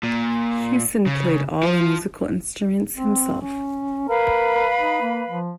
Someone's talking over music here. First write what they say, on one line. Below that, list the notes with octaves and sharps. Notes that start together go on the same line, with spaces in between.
Hewson played all the musical instruments himself.
A#2
C#3
F3
C4
C#4
A#4 B4 F5 B5
D#4
A#3
F3